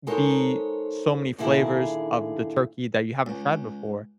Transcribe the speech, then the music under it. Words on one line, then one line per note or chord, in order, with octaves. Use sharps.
be so many flavors of the turkey that you haven't tried before,
G#3 D#4 A4 A#4 C5 C#5
A#2 D3 D#3 E4 G#4
C#2